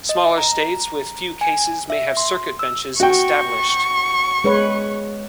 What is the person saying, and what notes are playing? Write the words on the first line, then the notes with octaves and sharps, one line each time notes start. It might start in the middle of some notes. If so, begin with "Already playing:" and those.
Smaller states with few cases may have circuit benches established.
D#5
A#5
G#5
E5
C6
E6
F#4 G5 C#6
G#3 B4 C#5